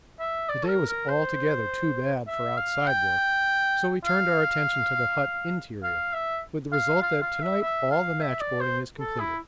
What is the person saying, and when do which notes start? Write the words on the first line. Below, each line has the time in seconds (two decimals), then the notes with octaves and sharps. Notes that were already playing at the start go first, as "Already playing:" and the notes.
The day was altogether too bad for outside work, so we turned our attention to the hut interior, with the result that to-night all the matchboarding is completed.
0.20 E5
0.49 D5
0.64 A4
0.69 A#4
0.89 A#4
1.09 C5
2.27 E5
2.57 F5
2.87 G5
4.05 F5
5.83 F5
6.13 E5
6.72 F5
7.02 F5
7.22 F5
7.42 E5
7.62 E5
7.91 F5
8.21 E5
8.41 D5
8.61 C5
9.00 A4
9.19 E4